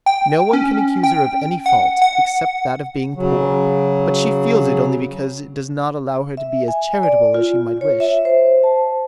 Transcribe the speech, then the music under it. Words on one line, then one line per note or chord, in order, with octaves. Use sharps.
No one can accuse her of any fault, except that of being poor, but she feels it only because it does not allow her to be as charitable as she might wish.
G5
C#4
G5
F#5
F#5
C#3 F#3
E5
G#5
D5
F4
C#5
E5
C5
A5